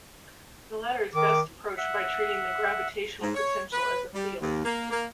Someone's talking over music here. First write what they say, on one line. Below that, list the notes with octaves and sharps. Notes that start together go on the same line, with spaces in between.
The latter is best approached by treating the gravitational potential as a field.
D#3 D6
E5 F#5
G#2
C#5
B4
G3
D#2
A#3
A#3